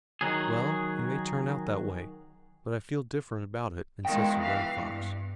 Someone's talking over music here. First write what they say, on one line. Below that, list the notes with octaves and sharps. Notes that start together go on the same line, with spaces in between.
"Well, it may turn out that way, but I feel different about it," insisted Running Fox.
D#3 F#3 G#4
E2 D#3 G#3 G5
E3 F5
G2